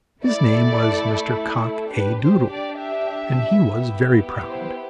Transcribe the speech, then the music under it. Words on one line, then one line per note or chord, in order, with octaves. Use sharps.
His name was Mr. Cock A. Doodle, and he was very proud.
A3 E4 A4 D5
D4 G4 B4
C5
D5
E5
B3 E4 G4
C5